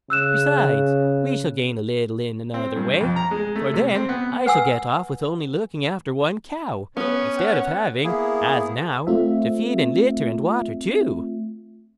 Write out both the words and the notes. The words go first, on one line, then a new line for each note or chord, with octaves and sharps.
Besides, we shall gain a little in another way, for then I shall get off with only looking after one cow, instead of having, as now, to feed and litter and water two.'
C#3 E6 F#6 E7
C4
G2
F2
A#5
G#3
A3
C3
C4
B3
B4 F#5 G#5 E6
B3 C#4 B4
F#5
A#3 B3 E4 G#4
A3 C4 F4 E5